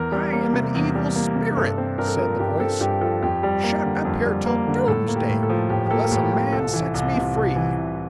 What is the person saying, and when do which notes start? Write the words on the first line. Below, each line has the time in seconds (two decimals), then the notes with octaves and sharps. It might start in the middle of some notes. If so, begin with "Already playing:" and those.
'I am an evil spirit,' said the voice, 'shut up here till Doomsday, unless a man sets me free.
Already playing: E2 A#4
0.12 G3
0.33 A#3
0.54 C3
0.74 E2
0.95 G3
1.16 A#3
1.36 C3
1.56 G2 A4
1.78 C4
1.98 G2 A#4
2.07 A4
2.16 F3 A#4
2.39 G2 G4
2.60 C4 A4
2.81 G2 G4
3.01 F3 A4
3.22 F2 G4
3.43 G3
3.64 A#3
3.84 D3
4.05 F2
4.25 G3
4.46 A#3
4.67 D3
4.87 A2 A4
5.08 A#3
5.15 G4
5.29 A2
5.43 A4
5.49 F3
5.70 A2 G4
5.87 G4
5.91 A#3 A4
6.12 A2 G4
6.32 F3 G4
6.53 C2 A4
6.73 E3
6.94 C2
7.15 C3
7.36 C2
7.56 E3
7.77 C2